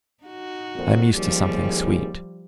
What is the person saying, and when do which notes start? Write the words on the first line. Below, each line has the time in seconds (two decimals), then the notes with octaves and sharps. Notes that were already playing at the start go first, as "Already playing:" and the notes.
I am used to something sweet.
0.24 D#4 F#4
0.75 G#1 F2 A#2
1.14 G#1 D#2 F3 G3 G#4